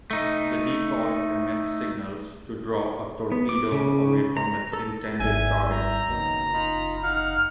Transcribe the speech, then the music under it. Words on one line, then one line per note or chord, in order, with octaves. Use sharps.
The decoy emits signals to draw a torpedo away from its intended target.
A3 D#4
B3
D6
C#3
A#5
A4
G#1 E2 G3 E5 G#5 G6
A#5
F#1 B2 D#3 F#3
D#4 F4 B5
D#4 F5 F#5 F6